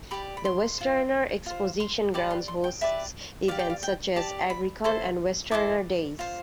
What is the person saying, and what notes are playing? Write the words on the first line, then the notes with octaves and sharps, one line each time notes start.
The Westerner Exposition Grounds hosts events such as Agricon and Westerner Days.
G4 D5 B5
B5
C6
F4 C5
F4 C5
C6
G4 B4 D5 D6
C6
C6
G5
G4 B4 D5 E5
G4 D5 F5
G5
F5
G5
G4 D5 A5
B5
E4 A4 C5 C6
E4 A4 C5 D6
F4 C5